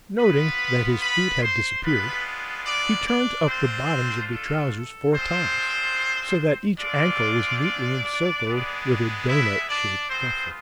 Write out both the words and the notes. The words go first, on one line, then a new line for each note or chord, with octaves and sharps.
Noting that his feet had disappeared, he turned up the bottoms of the trousers four times, so that each ankle was neatly encircled with a doughnut-shaped buffer.
B3 F4 B4 B5
B4 B5
C5 C6
G#3 B3 D4 F4 B4 B5
D4 D5
D4 D5
A3 C4 D4 F4 C5
A4
A4
G#3 C4 D4 F4 C5
G#3 C4 D4 F4 D5
G#3 B3 D4
E4 E5
D4 D5
G#3 B3 C4 F4 C5